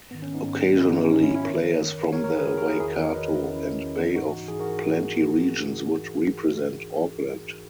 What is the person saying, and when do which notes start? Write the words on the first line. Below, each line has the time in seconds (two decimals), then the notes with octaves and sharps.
Occasionally players from the Waikato and Bay of Plenty regions would represent Auckland.
0.11 G#2 D#3 B3
0.22 C#4
0.34 B3 D#4
0.45 G#2 D#3
0.78 G#2 D#3 C#4 E4
0.89 D#4 F#4
1.01 C#4
1.12 G#2 D#3 C#4
1.23 C#4 E4
1.35 C#4 E4
1.46 F#2 D#3 A#4 C#5
1.79 F#2 D#3
2.13 F#2 D#3 A#4 C#5
2.24 A#4 C#5
2.35 G#4 B4
2.46 F#2 D#3 F#4 A#4
2.58 F#4 A#4
2.69 E4 G#4
2.80 E2 D#3 E4 G#4
2.92 F#4 A#4
3.03 A#4 C#5
3.14 E2 D#3 B4 D#5
3.47 E2 D#3 C#4 E4
3.82 E2 D#3
4.15 G#2 E3 D#4 F#4
4.48 G#2 E3 E4 G#4
4.59 F#4 A#4